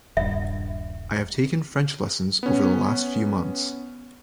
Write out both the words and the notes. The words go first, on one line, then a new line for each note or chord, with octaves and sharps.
I have taken French lessons over the last few months.
D#1 G2 E5
B3 C#4